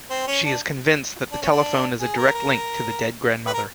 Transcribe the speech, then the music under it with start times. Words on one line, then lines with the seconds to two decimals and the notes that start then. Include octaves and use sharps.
She is convinced that the telephone is a direct link to the dead grandmother.
0.11 C4
0.27 C#4
0.45 D4
1.32 D4
1.42 C#4
1.52 D4
2.01 G#4
2.18 A#4
2.35 A#4
3.46 B4
3.54 A#4